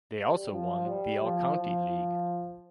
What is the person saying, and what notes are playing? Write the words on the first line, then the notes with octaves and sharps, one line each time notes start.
They also won the All-County League.
G3
F3
G3
F3
F3